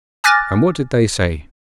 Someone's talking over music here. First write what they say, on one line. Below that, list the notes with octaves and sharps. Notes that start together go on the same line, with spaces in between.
'And what did they say?'
G#5 D6 F6 F#6 A6 A#6